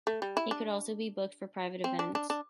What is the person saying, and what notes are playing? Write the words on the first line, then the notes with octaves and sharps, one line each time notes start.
He could also be booked for private events.
A3
G3
E4
D4
C4
D4
D4
D4